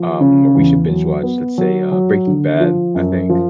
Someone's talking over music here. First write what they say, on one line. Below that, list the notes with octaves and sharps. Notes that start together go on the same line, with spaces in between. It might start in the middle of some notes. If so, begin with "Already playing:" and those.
um or we should binge watch, let's say, uh, Breaking Bad, I think.
Already playing: F3
C#3
E2
F#3
B3
F#3
F#3
D3
F3
F#2
F3